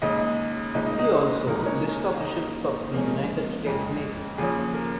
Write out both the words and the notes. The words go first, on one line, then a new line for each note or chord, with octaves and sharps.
See also List of ships of the United States Navy.
D#2 C#3 G#3 D#4 D#5
C#2 C#3 A#3 D#4 D#5
D#4 D#5
D#4 D#5
C#2 C#3 A#3 D#4 A#4
C#4 C#5
C#4 C#5
F5
C#3 A#3 D#4 D#5
A#2 F3 G#3 C#4 A#4
F2 C#3 G#3
D#2 C#3 F3 C#4 G#4
A#4